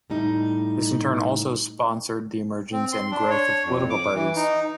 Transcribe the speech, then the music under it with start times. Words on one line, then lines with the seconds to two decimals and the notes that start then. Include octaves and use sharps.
This in turn also sponsored the emergence and growth of political parties.
0.10 A2 G3 D#4
2.73 C4
2.92 C6
3.11 D4
3.30 C#5
3.64 F2
3.90 D6
4.15 E3
4.36 D#4